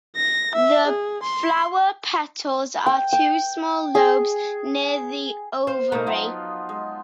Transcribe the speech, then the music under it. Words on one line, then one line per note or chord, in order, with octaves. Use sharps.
The flower petals are two small lobes near the ovary.
A#6
E5
G#4
C6
G5
G5
G#4
C5 F5
B2 A3 D#4 A#5
F3 F#3 B3 F4
G#3